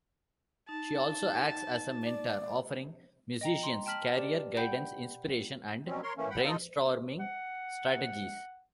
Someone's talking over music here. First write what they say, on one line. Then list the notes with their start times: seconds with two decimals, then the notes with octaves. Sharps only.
She also acts as a mentor, offering musicians career guidance, inspiration and brainstorming strategies.
0.69 D#4 A5
2.03 D5
3.41 D#5 G5 A#5
3.63 A#5 C6
3.86 G5 A5 F6 B6 F#7
4.17 G4 D5
4.57 F#5 G5 B5 G6
5.86 B2 F#3 G3 C4 C#4
6.03 A#4 C#5 C6
6.17 E3 A3 A#3 C#4
6.30 F#5 G5 B5
6.43 D#4 F4 A4 D#5
7.20 F#5